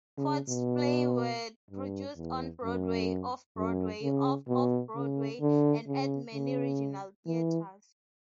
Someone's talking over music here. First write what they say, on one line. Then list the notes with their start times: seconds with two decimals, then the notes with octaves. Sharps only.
Foote's plays were produced on Broadway, Off-Broadway, Off-Off-Broadway and at many regional theatres.
0.18 C#3
0.48 B2
1.71 G2
2.17 E2
2.63 F#2
3.56 F#2
4.02 C#3
4.48 B2
4.95 C#3
5.41 D3
5.87 C#3
6.34 C#3
7.26 E3